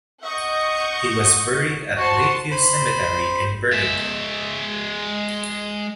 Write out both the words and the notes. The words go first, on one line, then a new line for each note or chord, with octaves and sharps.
He was buried at Lakeview Cemetery in Burlington.
D#5 F#5 C#6 G6
F#4 C5 A5 C6
C5 B5
G#3 E5